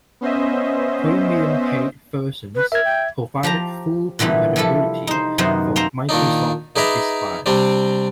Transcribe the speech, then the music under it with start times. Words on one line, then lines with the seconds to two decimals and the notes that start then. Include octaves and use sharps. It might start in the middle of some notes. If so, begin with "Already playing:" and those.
Premium paid versions provided full compatibility for Microsoft Office files.
0.21 B3 C#4 C5 D#5 E5
2.55 B4
2.72 A#4 E5 G#6
2.85 G5
3.43 F3 G4 A5 A#5
4.19 A#2 D3 E3 G3 B3
4.56 C3 F3 G3 E4 A4
5.07 D#4 C5
5.38 F#2 C3 D#3 B3 D#4 C5
5.76 A#3 C4 C5 A#5 C6
6.09 A#2 D#3 D4 D#4
6.76 D#4 G#4 B4 D5 E5 A#5
7.46 C3 G3 C4 D4